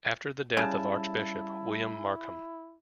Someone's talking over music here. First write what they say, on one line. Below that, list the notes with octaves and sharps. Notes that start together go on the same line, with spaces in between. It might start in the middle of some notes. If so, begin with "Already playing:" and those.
After the death of Archbishop William Markham.
C#3 G3 E4 A5